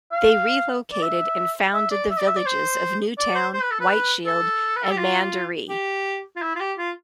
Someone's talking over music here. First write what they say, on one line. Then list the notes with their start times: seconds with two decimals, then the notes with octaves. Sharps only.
They relocated and founded the villages of New Town, White Shield, and Mandaree.
0.12 F5
0.92 D5
1.02 E5
1.74 E5
1.91 D5
2.10 E5
2.19 D5
2.27 E5
2.37 D5
2.46 C5
3.18 D5
3.35 C5
3.53 C5
3.62 B4
3.71 A4
3.80 B4
4.26 A4
4.76 B4
4.84 A4
4.91 G4
4.97 F4
5.69 G4
6.36 F4
6.42 E4
6.56 F4
6.60 G4
6.78 F4